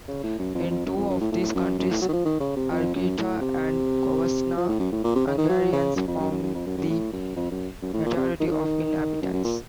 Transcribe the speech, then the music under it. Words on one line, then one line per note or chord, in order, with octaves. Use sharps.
In two of these counties, Harghita and Covasna, Hungarians form the majority of inhabitants.
C#3
A2
F#2
F2
F2
F#2
F2
F#2
A2
A2
F#2
F#2
A2
F#3
D#3
F3
D#3
C#3
C3
F2
F#2
A2
C3
F3
A2
F#2
A2
A#2
C3
C#3
D#3
F#3
C#3
F#2
F2
F#2
F#2
F#2
F2
F#2
F#2
A2
F#2
F2
F#2
F#2
A2
A#2
C3
D#3
F3
D#3
D#3
F#2
F#2
A#2